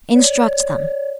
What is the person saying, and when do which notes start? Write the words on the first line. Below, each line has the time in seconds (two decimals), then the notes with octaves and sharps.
"Instruct them."
0.14 C#5 D5